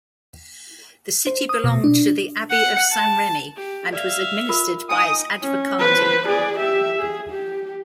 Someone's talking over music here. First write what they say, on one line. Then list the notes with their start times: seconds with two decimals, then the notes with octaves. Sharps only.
The city belonged to the Abbey of Saint-Remi and was administered by its advocati.
1.27 C5
1.49 D#6
1.64 B2
1.84 D4
2.51 F#5
2.91 A5
3.56 G4
3.93 D5 E5 F5
4.49 F4 A#4
4.89 D#4 G5 G#5 D#6
5.41 C#4
5.79 B4 C5
6.27 G#4 D5
6.58 G4 E5
7.00 G#4
7.31 G4